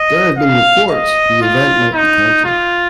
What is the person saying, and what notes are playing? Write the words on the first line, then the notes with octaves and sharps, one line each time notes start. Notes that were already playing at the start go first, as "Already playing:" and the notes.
There have been reports the event might be canceled.
Already playing: D#5
F5
D#5
F4
D#4
F4